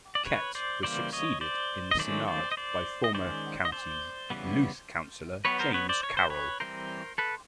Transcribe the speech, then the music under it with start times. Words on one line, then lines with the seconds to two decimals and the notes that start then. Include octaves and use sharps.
Kett was succeeded in the Seanad by former County Louth councillor James Carroll.
0.15 D5
0.25 B4 C#5
0.55 C5 D5
0.83 C#3 E3 G3 A#3 C5 D5
1.13 C#5 D#5
1.41 C5 D5
1.91 D#5
1.98 D#3 F#3 A3 C#4 C5 D5
2.27 C5 D5
2.52 D#5
2.57 C5 D5
3.04 D#5
3.15 D#3 G#3 C#4 C5 D5
3.65 D#5
3.72 C5 D5
4.30 C#3 E3 G3 B3
5.45 F#3 B3 B4 C#5
5.59 A#4 C5
5.74 B4 C#5
5.89 C5 D5
6.03 C#5
6.17 C5
6.30 B4 C#5
6.60 E3 G3 C4 A#4 C5
7.18 A4 B4